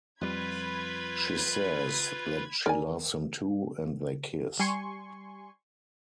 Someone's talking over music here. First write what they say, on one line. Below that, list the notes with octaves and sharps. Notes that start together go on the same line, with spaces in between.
She says that she loves him too, and they kiss.
F2 G3 F4 B4 B5 G#6
A#4 D5 G#5
G3 G#5 C6 C#6